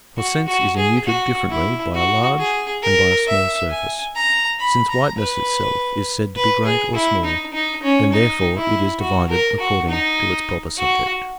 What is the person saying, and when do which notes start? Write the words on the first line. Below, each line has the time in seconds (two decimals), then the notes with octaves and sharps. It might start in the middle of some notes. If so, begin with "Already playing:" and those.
For sense is immuted differently by a large and by a small surface: since whiteness itself is said to be great or small, and therefore it is divided according to its proper subject.
0.17 F#4
0.47 F#4
0.77 G#4
1.06 F#4
1.50 E4
1.94 F#4
2.38 G#4
2.82 A#4
3.27 E5
3.70 G#5
4.15 A#5
4.59 B5
4.89 A#5
5.18 B4
6.36 B4
6.65 G#4
6.95 E4
7.24 D#4
7.54 D#4
7.83 C#4
8.13 D#4
8.57 E4
9.00 F#4
9.30 A#4
9.60 F#4
9.89 D#4
10.78 F#4